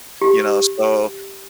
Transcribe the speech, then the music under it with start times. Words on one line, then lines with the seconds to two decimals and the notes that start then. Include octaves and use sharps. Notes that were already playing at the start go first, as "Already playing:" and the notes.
you know, so,
0.21 G4